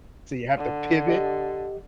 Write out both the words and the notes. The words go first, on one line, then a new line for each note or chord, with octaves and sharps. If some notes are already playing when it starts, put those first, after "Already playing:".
So you have to pivot?
D3
G4 D#5